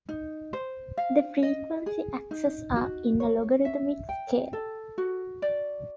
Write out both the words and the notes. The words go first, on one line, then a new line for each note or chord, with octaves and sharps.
The frequency axes are in a logarithmic scale.
D#4
C5
F5
D#5
G#4
D#4
F#4
C#5
E5
G5
A4
F#4
D5